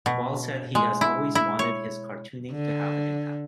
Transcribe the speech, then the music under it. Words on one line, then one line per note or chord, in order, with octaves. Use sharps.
Ball said he has always wanted his cartooning to have an impact.
B2
G#3
E4
E4
C#5
D3